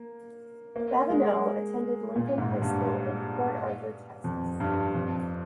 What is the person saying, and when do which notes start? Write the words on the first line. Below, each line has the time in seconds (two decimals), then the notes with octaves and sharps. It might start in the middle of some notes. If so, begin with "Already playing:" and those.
Babineaux attended Lincoln High School in Port Arthur, Texas.
Already playing: A#3
0.76 A#3
1.10 G#3
2.16 A#2
2.38 G#2
2.62 G2
4.24 F2
4.60 G2
4.95 F2